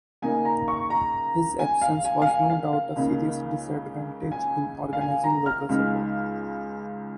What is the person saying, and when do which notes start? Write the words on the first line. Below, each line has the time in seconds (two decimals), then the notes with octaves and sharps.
His absence was no doubt a serious disadvantage in organising local support.
0.22 C#3 A#3 D#4 G#5
0.45 A#5
0.68 C#6
0.90 A#5
1.59 G#5
1.82 F5
2.05 G#5
2.22 F5
2.27 G#5
2.50 F5
2.73 F5
2.96 C#2 C#3 A#3 D#4
4.32 G#5
4.93 F5
5.01 G#5
5.24 A#5
5.46 F6
5.69 C#2 C#3 G#3 D#4